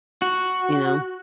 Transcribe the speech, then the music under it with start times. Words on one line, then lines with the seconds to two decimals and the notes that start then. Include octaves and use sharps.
you know,
0.22 F#4